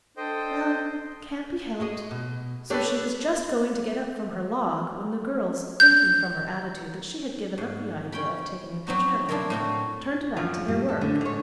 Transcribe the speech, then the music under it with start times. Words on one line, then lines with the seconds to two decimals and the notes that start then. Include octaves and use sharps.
"Well, it can't be helped." So she was just going to get up from her log, when the girls, thinking from her attitude that she had given up the idea of taking a picture of them, turned back to their work.
0.17 D4 A4 C5 D#5 G5
1.80 G#3 F#4 D#5
2.11 B2
2.70 D4 G4 A4 B4 C#5
5.80 G6
7.58 G#2
8.12 C#4 G5 B5
8.87 F#3 C4 D#4 F#4
9.29 C4 D4 E4 F4 A#4
9.50 A2 C4 F#4
10.37 F#2 F3
10.68 A2 G3
10.89 A4
11.01 A2 D3
11.21 G#2 C#5